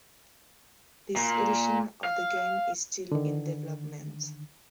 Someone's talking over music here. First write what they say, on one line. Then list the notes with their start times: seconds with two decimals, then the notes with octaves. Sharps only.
This edition of the game is still in development.
1.16 A#2
2.04 F5
3.12 D3 D#3